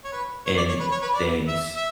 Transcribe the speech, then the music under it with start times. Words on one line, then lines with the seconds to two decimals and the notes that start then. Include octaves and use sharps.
in things.
0.05 C#5
0.12 B4
0.46 C#5
0.57 D5
0.69 C#5
0.80 B4
0.91 C#5
1.02 B4
1.14 D5
1.48 E5
1.75 E5